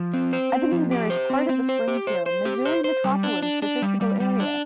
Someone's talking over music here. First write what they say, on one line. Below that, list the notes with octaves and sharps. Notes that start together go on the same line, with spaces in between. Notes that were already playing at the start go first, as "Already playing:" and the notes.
Ebenezer is part of the Springfield, Missouri Metropolitan Statistical Area.
Already playing: F3
C4
C5
C4
F3
G4
C5
C4
C4
C5
G4
C5
C5
G4
C5
C5
G3
D4
D4
D4
G3
G3
G3
D4